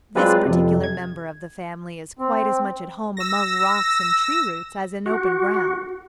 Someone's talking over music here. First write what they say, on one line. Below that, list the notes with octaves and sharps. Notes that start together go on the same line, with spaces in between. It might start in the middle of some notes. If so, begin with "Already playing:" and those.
This particular member of the family is quite as much at home among rocks and tree roots as in open ground.
F#3 G#3 C4 F4 B4 D5
F2 C3
G#6
C4
E6 A#6
F#4